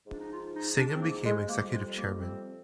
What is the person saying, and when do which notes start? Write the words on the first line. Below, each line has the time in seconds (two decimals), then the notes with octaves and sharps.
Singham became Executive chairman.
0.06 G#2 F3 D4
0.20 D#4
0.30 F4
0.54 D#4
0.77 D4
0.94 C4
1.00 A#3
1.25 G#3
1.47 F2 C3 G3 A#3
1.72 G#3
1.95 A#3
2.07 A#3
2.19 C4